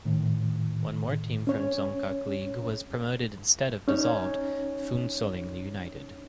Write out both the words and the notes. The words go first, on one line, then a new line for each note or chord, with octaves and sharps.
One more team from Dzongkhag League was promoted instead of dissolved Phuentsholing United.
A2 D#3
C#4 C#5
C#4 D#4 C#5